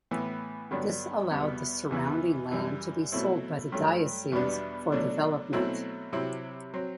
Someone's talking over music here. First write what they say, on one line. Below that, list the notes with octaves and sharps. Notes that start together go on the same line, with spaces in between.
This allowed the surrounding land to be sold by the Diocese for development.
A2 E3 B3
G2 D3 F#3 B3 D4
E2 B2 G3 B3
E2 C3 E3 B3 E4
F#2 E3 G3
B2 F#3 A3 C4 E4
G2 F#3 A3
E2 B2 G3 B3 D4
B2 F#3 A3 D4
B2 F#3 A3 C4 E4
C3 F#3 C4 E4
F#3 C4